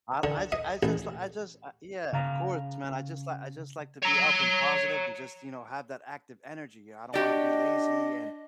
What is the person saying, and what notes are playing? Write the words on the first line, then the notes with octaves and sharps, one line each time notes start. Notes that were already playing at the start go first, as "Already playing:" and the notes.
I I j I just I just, uh, yeah, of course, man, I just like I just like to be up and positive and just, you know, have that active energy, I don't wanna be lazy and
D3
D#5
A1
C#3 F5 A#5
C#5 A#5
D4 F#4 G4 D5 D#5